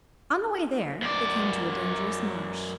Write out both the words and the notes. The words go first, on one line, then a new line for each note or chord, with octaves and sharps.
On the way there they came to a dangerous marsh.
F#2 D5